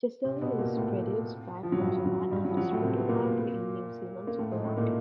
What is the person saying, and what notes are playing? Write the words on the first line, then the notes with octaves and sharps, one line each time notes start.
Chesdale is produced by Fonterra and distributed widely in New Zealand supermarkets.
C3 C4
B2 B3
A#2 A#3
A2 A3
F3
F#3
G2 G3
F#3
G2 G3
F#3
F3
F#3
A2 A3
C3 C4
B3
A#2 A#3
A#3
A2 A3
G#2 G#3
A2 A3
A#2 A#3